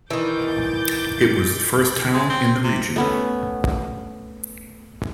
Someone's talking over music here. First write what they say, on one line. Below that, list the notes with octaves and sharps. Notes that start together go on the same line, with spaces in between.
It was the first town in the region.
D#3 E3 D6 G6 A6
G#3
C4
C3
A3 B3 C#4